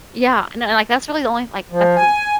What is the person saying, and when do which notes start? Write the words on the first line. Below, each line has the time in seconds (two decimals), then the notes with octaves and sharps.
Yeah, and then, like, that's really the only, like that's
1.72 F3
1.96 G#5